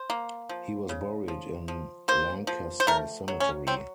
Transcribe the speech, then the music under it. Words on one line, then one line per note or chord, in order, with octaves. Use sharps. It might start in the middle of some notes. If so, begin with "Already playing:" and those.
He was buried in Lancaster Cemetery.
Already playing: C5
A#3
F3
C#3
F3
F3
A#3 C5
F3
C5
A3 A#4
F#3
C#4
F#3 C4